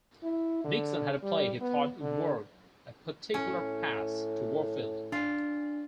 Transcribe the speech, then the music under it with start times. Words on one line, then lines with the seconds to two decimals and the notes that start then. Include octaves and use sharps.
Nixon had a play he thought would work, a particular pass to Warfield.
0.23 E4
0.64 D3
1.23 G3
1.61 B3
2.01 D3
3.34 A2 C#4
5.12 D4 F4